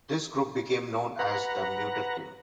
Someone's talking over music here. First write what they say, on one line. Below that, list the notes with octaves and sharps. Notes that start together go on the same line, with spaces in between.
This group became known as the Muiderkring.
B4 F#5 A#5